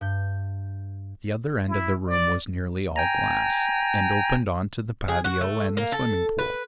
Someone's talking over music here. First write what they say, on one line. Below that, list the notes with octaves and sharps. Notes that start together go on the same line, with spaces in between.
The other end of the room was nearly all glass, and opened onto the patio and the swimming pool.
G2 G6
E4
D5
G5 G#5 A#5
G#4
F#4
A3
A#3
A4
B4